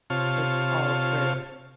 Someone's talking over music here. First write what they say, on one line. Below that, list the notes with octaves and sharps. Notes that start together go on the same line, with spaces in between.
"It's all true."
C3 F4 C#5 A5 F6